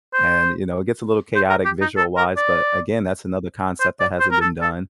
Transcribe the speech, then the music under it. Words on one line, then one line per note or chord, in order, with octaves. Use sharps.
And, you know, it gets a little chaotic visual-wise, but again, that's another concept that hasn't been done.
C5
C5
A#4
G4
D#4
A4
A#4
D5
C5
D5
C5
A#4
A4
A4